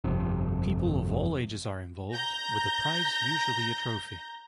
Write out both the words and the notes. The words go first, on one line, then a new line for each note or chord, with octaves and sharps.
People of all ages are involved, with the prize usually a trophy.
G1 F2 C3
A#5 G6 A#6